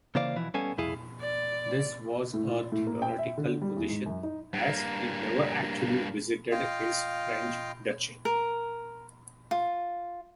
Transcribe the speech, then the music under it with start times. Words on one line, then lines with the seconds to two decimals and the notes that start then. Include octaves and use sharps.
This was a theoretical position, as he never actually visited his French duchy.
0.15 C#3 E3 A#3 C5 D5 F5
0.36 B2 E3 F3 E4
0.54 G3 B3 C#4 A4 F5 G#5
0.78 C2 F2 E4 G#4 F5
1.20 D5
2.34 A2
2.47 F4
2.72 A2
2.87 A#3
3.02 G5
3.19 E5
3.38 D3
3.62 G3
3.77 E2
3.89 G#2
4.06 F#2
4.23 D#4
4.54 G2 A#3
6.52 F4 D#5 F5 G5
8.25 A#4
9.51 F4